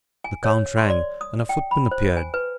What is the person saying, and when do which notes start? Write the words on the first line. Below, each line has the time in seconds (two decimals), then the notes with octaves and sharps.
The count rang, and a footman appeared.
0.24 G#5
0.44 C#5
0.78 C6
0.90 D5
1.21 D#6
1.49 G5
1.71 B5
1.91 C5
2.17 G#5
2.34 B4